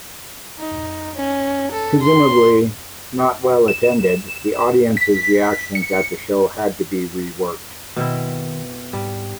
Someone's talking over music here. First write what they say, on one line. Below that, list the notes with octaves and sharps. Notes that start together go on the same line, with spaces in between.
Presumably not well attended, the audience's reactions at the show had to be reworked.
D#4
C#4
A4
C6
E7
B6
C#7
B2 D#3 C4 E4
G#2 G3